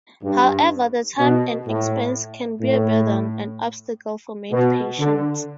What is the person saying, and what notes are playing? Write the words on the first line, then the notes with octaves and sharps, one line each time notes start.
However, the time and expense can be a burden and obstacle for many patients.
G2
B2
A2
A2
B2
D3